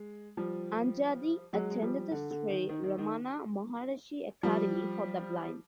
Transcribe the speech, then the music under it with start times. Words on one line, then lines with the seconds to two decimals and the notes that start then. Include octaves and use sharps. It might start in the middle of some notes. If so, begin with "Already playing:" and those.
Angadi attended the Shree Ramana Maharishi Academy for The Blind.
Already playing: G#3
0.37 F3 G3
1.53 F#3 G#3
1.71 G#3
1.82 F3 G3
2.11 D3
2.31 D3
2.50 D#3
2.69 D#3
2.84 D#3
2.98 D#3
4.43 F3 G3